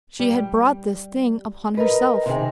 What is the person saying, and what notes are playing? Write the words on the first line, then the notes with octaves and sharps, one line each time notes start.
She had brought this thing upon herself.
G3
A#4 B4 D#5
C3 D#3 G#4